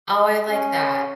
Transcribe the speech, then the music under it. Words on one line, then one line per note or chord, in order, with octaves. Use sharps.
Oh, I like that.
C#4